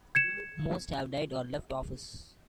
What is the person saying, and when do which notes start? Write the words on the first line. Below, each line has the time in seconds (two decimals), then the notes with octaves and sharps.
Most have died or left office.
0.15 G#6 C#7 E7